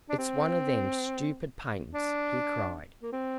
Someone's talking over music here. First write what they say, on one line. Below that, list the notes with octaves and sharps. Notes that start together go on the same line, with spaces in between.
"It's one of them stoopid patents," he cried.
D4
C4
D4
A#3
C4